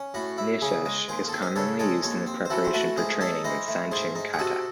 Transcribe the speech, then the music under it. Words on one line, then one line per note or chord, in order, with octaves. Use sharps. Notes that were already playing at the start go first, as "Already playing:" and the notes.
Niseishi is commonly used in preparation for training in Sanchin kata.
Already playing: C#4
A2 F#4
E4
C#3 G#4
G#3
D#2 G#4 C5
C4 A4
C5
C#3 A4 C#5
G#3 A4 C#5
D#2 A4 C#5
C4
C5
E3 F#4 A4
C5
A3 F#4 A4
G#2 G#4 C5
D#4 A4 C#5
E3 C5 D#5
A3
G#2 G#4 C5
D#4
G#4
C3 F#4 A4